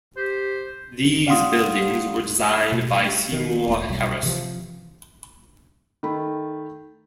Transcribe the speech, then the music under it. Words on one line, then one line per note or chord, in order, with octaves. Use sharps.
These buildings were designed by Seymour Harris.
G4 C5
D5 F5 F#5 C6 D#6
B2
A3
D#3
E1 A3
B1 B2 G3
C3 E3 F3
D#3 A3 B5